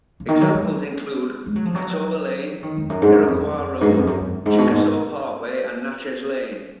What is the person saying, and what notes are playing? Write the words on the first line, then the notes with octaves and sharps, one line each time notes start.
Examples include Catawba Lane, Iroquois Road, Chickasaw Parkway, and Natchez Lane.
C#3
D#3
F#3
G#3
G#3
F#3
F3
F#3
D#3
F2
F#2
G#2
F#2
F2
F2
G#2
F#2
F2
F#2
F#2
F#2
G#2
B2
A#2
G#2